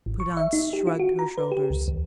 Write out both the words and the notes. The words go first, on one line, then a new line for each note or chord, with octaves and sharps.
Prudence shrugged her shoulders.
G#1
C#6
E5
D#4
G4
F4
F#4
A#5
B4
G4
C#2
D#2